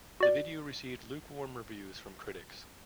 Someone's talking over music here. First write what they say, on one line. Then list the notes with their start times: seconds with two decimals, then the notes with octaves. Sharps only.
The video received lukewarm reviews from critics.
0.20 F#4 D5